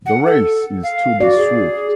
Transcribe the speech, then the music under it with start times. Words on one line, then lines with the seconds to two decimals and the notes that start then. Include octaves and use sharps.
The race is to the swift.
0.06 F#5
0.26 A4
0.83 F5
1.20 F#4 D5
1.38 G#4